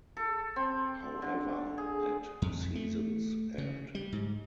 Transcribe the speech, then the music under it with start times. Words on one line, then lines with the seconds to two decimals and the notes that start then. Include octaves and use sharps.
However, at season's end.
0.17 A4
0.56 C4
1.22 D3
1.78 G#4
2.42 F2
2.75 A3
3.58 C#3
3.95 G3
4.12 G#2